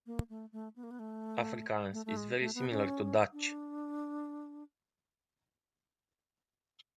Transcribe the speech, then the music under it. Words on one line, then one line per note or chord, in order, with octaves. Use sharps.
Afrikaans is very similar to Dutch.
A#3
A3
A3
B3
A#3
B3
A3
A3
A3
G#3
A3
B3
C#4
D4